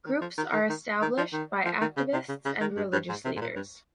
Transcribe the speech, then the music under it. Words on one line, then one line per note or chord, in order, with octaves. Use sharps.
Groups are established by activists and religious leaders.
D#3
F3
D#3
D#3
D#3
D#3
F3
D#3
F3
D#3
C#3
C3
C#3
C#3
D#3
G2
G2
G#2
C3
G#2
A#2
G2